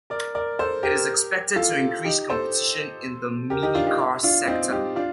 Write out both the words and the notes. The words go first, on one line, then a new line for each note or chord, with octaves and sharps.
It is expected to increase competition in the minicar sector.
A#4 D5
A#4 D5
A4 C5
G4 A#4
F4 A4
D#4 G4
A4 C5
G4 A#4
D#4 G4
D4 F4
D#4 G4
D4 F4
C4 D#4
D#4 G4
D4 F4